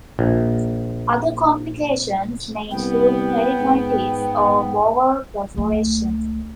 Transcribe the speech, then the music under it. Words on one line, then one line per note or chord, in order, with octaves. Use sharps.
Other complications may include peritonitis or bowel perforation.
A#1 A#2
C2 B3 G5
G#2
C#2 A3